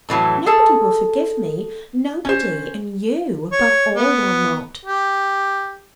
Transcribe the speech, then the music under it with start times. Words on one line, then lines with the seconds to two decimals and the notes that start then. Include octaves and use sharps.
Nobody will forgive me, nobody! and you above all will not! . . .
0.09 F2 A2 E3 F#3
0.46 G#4 A4 A5
2.25 C#4 C5
3.52 C#5
3.96 B3
4.85 G4